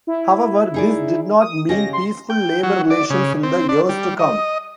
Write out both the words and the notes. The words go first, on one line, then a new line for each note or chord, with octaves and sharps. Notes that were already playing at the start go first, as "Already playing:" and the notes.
However, this did not mean peaceful labor relations in the years to come.
E4
D#4 G#4 D5
D#6
C#3 G4 D#5 A#6
C6
G5
F#3
D5
C#3
C4
D4
G3
D#5